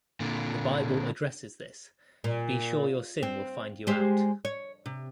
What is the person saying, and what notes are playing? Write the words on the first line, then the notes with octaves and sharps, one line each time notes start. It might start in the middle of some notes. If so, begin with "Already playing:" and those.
The Bible addresses this: Be sure your sin will find you out.
A#2 D3
A#2
C4
G#3 G4 C5
C#5
C3